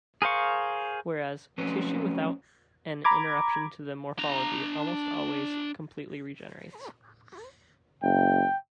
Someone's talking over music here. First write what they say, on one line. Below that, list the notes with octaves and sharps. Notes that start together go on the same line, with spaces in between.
Whereas, tissue without an interruption to the morphology almost always completely regenerates.
G#4 A#4 C5 F5 C#6
F3 F#3 A3 C4 C#4 B4
A#5 B5 D6 G#6
D4 A#5
F#1 G5